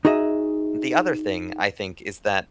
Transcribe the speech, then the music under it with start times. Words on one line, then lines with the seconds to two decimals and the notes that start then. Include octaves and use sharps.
The other thing I think is that
0.05 D#4 F#4 G#4 D#5 E5